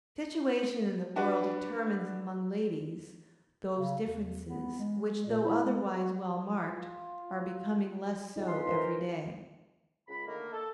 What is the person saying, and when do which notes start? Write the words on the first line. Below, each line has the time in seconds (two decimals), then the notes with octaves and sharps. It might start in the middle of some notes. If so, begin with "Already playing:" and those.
Situation in the world determines among ladies, those differences, which though otherwise well marked, are becoming less so every day.
1.16 D4 F#4 B4 D5
3.77 C#3
4.02 E2
4.48 B3
4.79 G#3
5.26 A#2
5.44 E4
5.64 G#3
5.96 F#4
6.69 F4
8.36 D#4 F4 G#4
8.48 B4 C6
8.68 A#4 C5
10.08 C#2 B5
10.27 D3 D#3 A3 A#3
10.52 A4